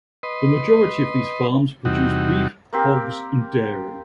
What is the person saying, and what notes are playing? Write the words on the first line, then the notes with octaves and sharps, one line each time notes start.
The majority of these farms produce beef, hogs, and dairy.
B4 D#5 C6
E2 C3 G3 D#4 F#4
A#3 C4 G4 A#4